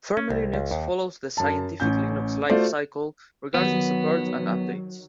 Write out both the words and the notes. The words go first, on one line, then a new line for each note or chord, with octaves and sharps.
Fermi Linux follows the Scientific Linux life cycle regarding support and updates.
C#4
C2
C#2
D#2
F#2 A5
A1 C#4 G6
A3 F4 F#4 A4 C5 D5
D#3 F#3 B3